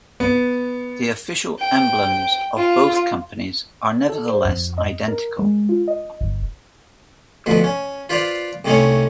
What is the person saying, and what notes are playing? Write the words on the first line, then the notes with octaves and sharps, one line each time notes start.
The official emblems of both companies are nevertheless identical.
B3
G5
F4
A4
C5
F2
D#5
A#4
G#3
F4
D#5
G1
D2 B2 F3 B4
C#4
F4 B4 C5 D5 F5
C2 C3 A3 C#4 D#4 C#5